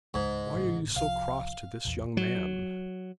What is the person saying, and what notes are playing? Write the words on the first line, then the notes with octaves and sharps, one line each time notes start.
'Why are you so cross to this young man?'
C#2 G#2
G#1 A2 C#3
C2 F3 F5
A#1 E2
F#3